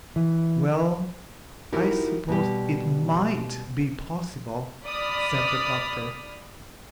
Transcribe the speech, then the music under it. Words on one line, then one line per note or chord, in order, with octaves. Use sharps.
"Well, I suppose it MIGHT be possible," said the Doctor.
E3
D#4 E4 F#4 G4 A#4
B2 G3 G4
D5 B5 D#6 F6